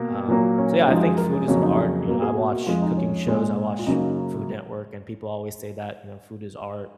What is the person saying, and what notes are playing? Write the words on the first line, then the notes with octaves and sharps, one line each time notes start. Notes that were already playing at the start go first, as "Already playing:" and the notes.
Um, so yeah, I think food is an art, you know, I watch cooking shows, I watch Food Network, and people always say that, you know, "Food is art."
Already playing: B2 A#3
A#2 F#3 A#3
C#4
F#2 F3 G#3 D#4
G#4
A#4
G#4
F2 C#3 F#3 A#3 C#4
D#4
G#4
B2 A#3 A#4
G#4
F#4
F#4
F2 F3 G#3 F4
D#4
C#4
A#2 G#3
F4
F#2 C#3 F#3 A#3 D#4